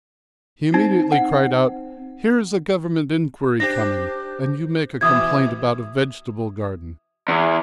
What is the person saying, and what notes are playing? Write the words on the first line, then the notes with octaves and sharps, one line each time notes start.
He immediately cried out: 'Here is a Government inquiry coming, and you make a complaint about a vegetable garden.
C4 D#4
F#5
D4 G4 C5 A#6
B2 E3 E5 D#6 G#6
E2